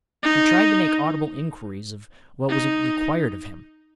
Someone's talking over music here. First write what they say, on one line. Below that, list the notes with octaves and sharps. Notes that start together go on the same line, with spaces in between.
He tried to make audible inquiries of what was required of him.
D#4
D#4